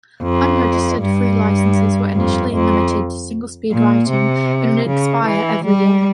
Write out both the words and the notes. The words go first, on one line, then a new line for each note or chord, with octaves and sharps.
Unregistered free licenses were initially limited to single-speed writing and would expire every year.
F2
G2
F2
F2
A#2
C3
C#3
E3
G3